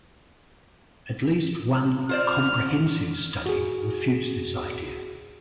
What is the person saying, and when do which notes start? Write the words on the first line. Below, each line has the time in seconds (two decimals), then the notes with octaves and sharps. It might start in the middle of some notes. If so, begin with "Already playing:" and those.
At least one comprehensive study refutes this idea.
2.09 F4 C5 D5 F6
3.46 F#4 G#4